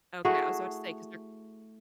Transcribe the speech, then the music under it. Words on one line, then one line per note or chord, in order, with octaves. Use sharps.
Okay, I was about to say, 'cause they're
A3 E4 F#4 G#4